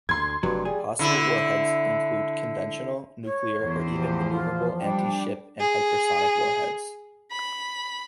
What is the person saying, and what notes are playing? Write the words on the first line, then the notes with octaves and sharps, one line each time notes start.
Possible warheads include conventional, nuclear or even maneuverable anti-ship and hypersonic warheads.
D2 C6 G#6
F1 G2 F#3
G3 G#4
D3 E4
C#5
E2 C5
F3 G4
F4
G3 D4 G5
G#4
B5